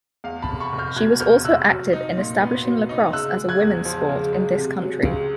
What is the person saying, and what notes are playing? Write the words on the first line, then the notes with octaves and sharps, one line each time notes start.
She was also active in establishing lacrosse as a women's sport in this country.
E2 F5
A5 B5
F1
B5 C#6
F1
F6 G6
B2 F#6 G#6
E2 F6 G6
F1 E6 F#6
F#3
D#4
A#2
B3
F#3
D#4
C#3 E6 F#6
G#3
F#6 G#6
E2
F3
C#3
G#3
C3
F#3
C#2